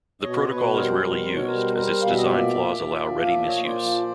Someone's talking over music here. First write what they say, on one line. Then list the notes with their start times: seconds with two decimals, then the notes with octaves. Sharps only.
The protocol is rarely used, as its design flaws allow ready misuse.
0.22 B2 C#5 D#5
0.43 C5
0.48 B2 B4 C#5
0.74 G3 A#4 C5
0.99 B2
1.25 B2 C5
1.36 C#5
1.47 G3 A#4 C5
1.76 G3 A#4 C5
2.02 B2 F5
2.10 E5
2.18 D#5
2.25 A#2 D5 E5
2.53 A#2
2.79 A#2
3.05 F3
3.21 F5
3.30 A#2 D5 E5
3.47 C#5 D#5
3.56 A#2
3.64 C5 D5
3.82 F3